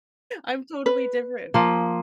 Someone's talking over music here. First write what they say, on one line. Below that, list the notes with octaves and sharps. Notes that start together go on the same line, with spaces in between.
I'm totally different.
B4
F3 A#3